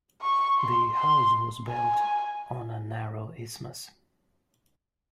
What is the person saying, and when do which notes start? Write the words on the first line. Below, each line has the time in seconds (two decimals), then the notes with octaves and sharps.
The house was built on a narrow isthmus.
0.21 C#6
0.58 C6
0.95 C6
1.68 G#5